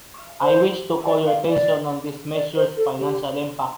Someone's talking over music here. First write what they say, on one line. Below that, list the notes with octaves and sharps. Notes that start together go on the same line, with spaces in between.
I wish to call your attention on this measure’s financial impact.
C5
D5
F5
D5
D5
C5
A4
G4